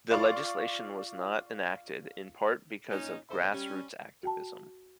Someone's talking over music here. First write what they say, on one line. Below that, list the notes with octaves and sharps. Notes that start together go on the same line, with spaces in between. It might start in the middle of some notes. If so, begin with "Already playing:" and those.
The legislation was not enacted, in part because of grass-roots activism.
F4 D5 F5 C6 C#6
A#2 C#4 D#4
E2 C#3 E4 A4 C5
G3 C#4
F#4 G5 A5